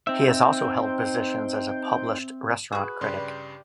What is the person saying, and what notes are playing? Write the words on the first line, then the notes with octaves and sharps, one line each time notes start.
He has also held positions as a published restaurant critic.
C4 D#4 C5 E5 G5
F#4 G#4 B4
G2 C#3 G4 D5 C6